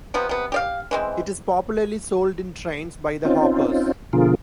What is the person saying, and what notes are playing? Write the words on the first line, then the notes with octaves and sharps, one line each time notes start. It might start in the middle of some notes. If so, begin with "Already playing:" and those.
It is popularly sold in trains by the hawkers.
C3 F3 B3
C3 B3
G4 D5 F5
E3 G#3 C4
C4 C#4 D#4 F4
B2 D3 F3 F4 G#4 A#4